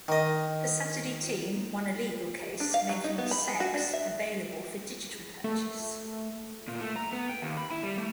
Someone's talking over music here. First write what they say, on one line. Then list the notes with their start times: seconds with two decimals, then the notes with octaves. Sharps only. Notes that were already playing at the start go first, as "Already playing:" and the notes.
The Saturday Team won a legal case, making "Sex" available for digital purchase.
0.08 D#3 D#5
2.60 D4
2.74 F5
2.89 F#3
3.04 D#4
3.18 B3
3.31 B5
3.48 G#3
3.60 F#4
3.74 D4
3.93 E5
5.44 A3
6.68 A#2
6.81 A3
6.96 A#5
7.13 B3
7.29 G5
7.42 D#2
7.57 B5
7.71 E4
7.83 G3
7.98 A3